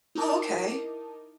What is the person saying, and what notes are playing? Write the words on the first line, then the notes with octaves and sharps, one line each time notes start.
Oh, okay.
D#4 E4 A#4 A5 D6